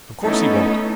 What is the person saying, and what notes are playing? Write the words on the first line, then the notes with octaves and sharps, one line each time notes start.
Of course he won't.
A3 B3 C#4 D#4 E4 A4